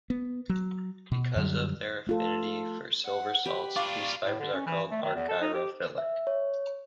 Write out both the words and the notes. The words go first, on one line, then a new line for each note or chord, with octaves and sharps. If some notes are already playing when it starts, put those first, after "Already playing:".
Because of their affinity for silver salts, these fibers are called argyrophilic.
B3
F#3
B2
F#2 D3 F#3 G3
A3 F4 A4
F#5
G4 B4 B5
D4 F4 F5 C#6 D6
A2
D3
C#4
E3
A3
D#3
E2
A4
D#4
G4
E5
C#5